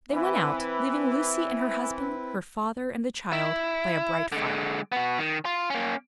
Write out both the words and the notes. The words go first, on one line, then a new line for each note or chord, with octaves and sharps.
They went out, leaving Lucie, and her husband, her father, and the child, by a bright fire.
E3 C4 E4 B4
E4
D3 G#3
B3 F#4
D#3
F4
A#3 C#4